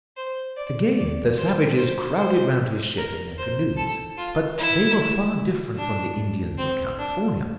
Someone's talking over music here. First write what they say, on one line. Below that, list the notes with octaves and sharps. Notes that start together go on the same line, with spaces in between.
Again the savages crowded around his ship in their canoes, but they were far different from the Indians of California.
C5
D5
D5
C5
C5
C5
A#4
C5
A4
F4
E4
D4
C4
D4